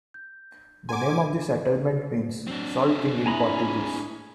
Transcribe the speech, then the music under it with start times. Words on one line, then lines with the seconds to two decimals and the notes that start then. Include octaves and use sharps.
The name of the settlement means "Salt King" in Portuguese.
0.14 G6
0.89 F#5 G#5 A#5 C6 D6
2.47 F#3 C4 D4
3.26 E4 G#4 A4 B4 G#5 A#5 B5